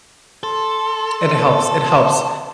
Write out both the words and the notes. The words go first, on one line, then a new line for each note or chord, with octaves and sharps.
it helps it helps
A4 C6